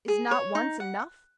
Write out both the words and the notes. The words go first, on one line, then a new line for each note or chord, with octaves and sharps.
Is not once enough?
G#4
C#5
D#4
F#5